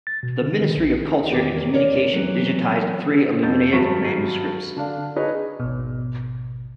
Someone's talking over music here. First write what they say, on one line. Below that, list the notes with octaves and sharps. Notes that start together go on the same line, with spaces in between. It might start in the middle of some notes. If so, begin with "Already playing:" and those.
The Ministry of Culture and Communication digitized three illuminated manuscripts.
A6
B2
D3
D#3
A#1
E2 D#3 A#3 G4
A#4 C#5 D5
E3 F#3
F2 G6 A6
G#1 G2 F#3 C#6 B6
D3 D4 F5
D#4 G#4 B4 C#5 D#5
G#1 B2